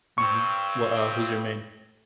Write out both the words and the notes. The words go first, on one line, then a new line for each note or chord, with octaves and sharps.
Mhm. Wha uh, who's your main?
G2 C4 C#6